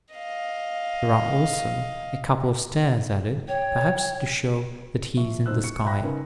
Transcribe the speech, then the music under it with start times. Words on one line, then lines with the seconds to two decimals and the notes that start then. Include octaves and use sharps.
There are also a couple of stars added, perhaps to show that he is in the sky.
0.15 D#5 F5
3.48 C#5 G5
5.17 F3 E5 C#6
5.46 F#1 B3 D#4 C5 E6 F#6
5.64 C#6 C#7
5.85 E5 G5 B5 F#6 A#6
6.02 C#3 C#4 D#4 A#4 B4